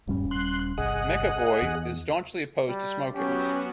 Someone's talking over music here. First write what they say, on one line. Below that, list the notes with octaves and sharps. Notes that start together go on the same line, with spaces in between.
McEvoy is staunchly opposed to smoking.
D#1 G2 G3 C#4
C6 F#6
G1 C2 G#4 D#5 F#5
E2
G3
F#3 B3 C#4 F#4 G4